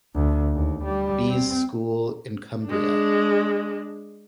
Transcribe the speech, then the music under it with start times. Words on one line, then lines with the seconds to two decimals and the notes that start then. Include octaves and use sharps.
Bees school in Cumbria.
0.15 D2
0.54 D#2
0.84 G3
1.29 C4
2.65 G#3 D4